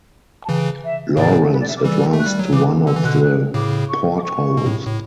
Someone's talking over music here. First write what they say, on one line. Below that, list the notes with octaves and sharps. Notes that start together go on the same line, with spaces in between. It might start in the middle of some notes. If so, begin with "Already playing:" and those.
Lawrence advanced to one of the portholes.
A5
C#3 E3 G5
E5
A2 C#3 D5
B4
D5
E5
D6
E3 G3 E6
A3
F#6
G3
F#3
C#3 E3 D6
D3 E6
E3
B2 D3 F#6
F#6
A2 C#3 D6
C#6
D6
C#6
B2
A2
A2